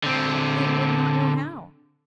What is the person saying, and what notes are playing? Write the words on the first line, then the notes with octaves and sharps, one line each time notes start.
They would not know how.
D3 C4